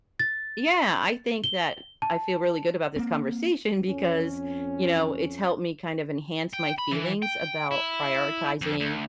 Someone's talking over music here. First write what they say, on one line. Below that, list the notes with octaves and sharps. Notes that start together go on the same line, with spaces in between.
Yeah, I think that I feel really good about this conversation, because, you know, it helped me kind of enhance my feelings about prioritizing,
A6
G7
A5
A#3 C4
F2 C#4
G5
B5
E3
G5
E4
F2
D2